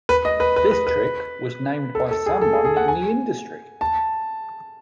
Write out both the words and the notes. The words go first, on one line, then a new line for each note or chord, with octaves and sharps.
This trick was named by someone in the industry.
B4
D#5
B4
B4
B4
B4
A4
A4
G#4
A4
G#4
G#4
F#5
G#5
A5